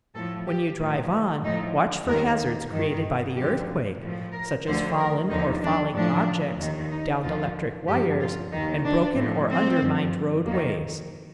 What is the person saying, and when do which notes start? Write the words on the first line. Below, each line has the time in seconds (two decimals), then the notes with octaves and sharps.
When you drive on, watch for hazards created by the earthquake, such as fallen or falling objects, downed electric wires, and broken or undermined roadways.
0.14 A2 F3 A4
0.46 G4
0.79 A2 F3
1.44 A2 F3 D#4
2.07 D#2 D#3 A#4
2.72 G2 D#3
3.36 D2 D3 F3 G4
4.01 A2 F3
4.33 A#4
4.65 D2 D3 F3 C5
4.98 A#4
5.30 D#2 D3 F3 D#4
5.62 D4
5.94 A2 F3 D4
6.59 D#2 D#3
6.91 D#4
7.23 D#2 D3 F3 F4
7.88 G2 F3 G4
8.20 F4
8.52 D#2 D#3 D#4
8.85 D4
9.16 A2 F3
9.49 C4
9.81 G2 F3
10.45 F2 D#3 A#3